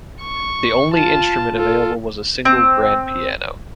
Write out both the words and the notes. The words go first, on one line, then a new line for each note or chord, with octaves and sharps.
The only instrument available was a single grand piano.
C#6
F4 A5
F4 A4
C4